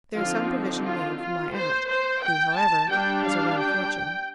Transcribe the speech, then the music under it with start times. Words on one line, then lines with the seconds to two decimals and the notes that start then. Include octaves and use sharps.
There is some provision made for my aunt, who, however, has her own fortune.
0.15 D3 F3 C4 D#4 F4
0.84 F4
1.18 F4
1.53 C5
1.87 C5
2.21 G5
2.54 A5
2.89 G3 D4 G5
3.24 F5
3.58 G5